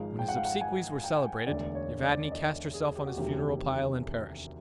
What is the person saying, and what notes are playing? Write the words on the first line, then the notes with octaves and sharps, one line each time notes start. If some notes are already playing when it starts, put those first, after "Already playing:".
When his obsequies were celebrated, Evadne cast herself on his funeral pile and perished.
Already playing: G#1 G#2 F3 G#3 F5
G5
F#5
F5
F#5
G#5
G5
E1 D2 D3 D5
C#5
D5
D#5
G#4
G4
F#4
E1 D2 C3 D#3 F#3 G4